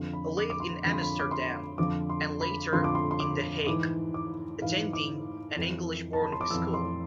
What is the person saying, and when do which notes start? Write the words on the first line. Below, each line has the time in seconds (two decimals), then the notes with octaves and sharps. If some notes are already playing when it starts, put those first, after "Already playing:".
He lived in Amsterdam and later in The Hague, attending an English boarding school.
Already playing: F2 D3 F3
0.13 B5
0.37 D6
0.50 D6
0.60 C6
0.84 F2 D3 F3 B5
0.93 C6
1.02 B5
1.20 D6
1.31 C6
1.78 F2 D3 F3 D6
2.10 C6
2.41 B5
2.73 F2 D3 F3 C6
2.84 D6
2.95 C6
3.11 C6
3.20 D6
3.67 G#2 E3 D6
4.14 D6
4.61 G#2 E3 F5
4.93 D6
5.57 F2 E3
6.13 A5
6.22 B5
6.32 C6
6.41 D6
6.50 E3 E6
6.54 F2
6.74 C6